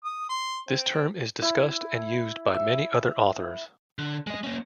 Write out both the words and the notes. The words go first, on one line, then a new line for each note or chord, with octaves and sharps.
This term is discussed and used by many other authors.
D#6
C6
C4
E4
E5
D3
G#3 D#5
A#3 C#4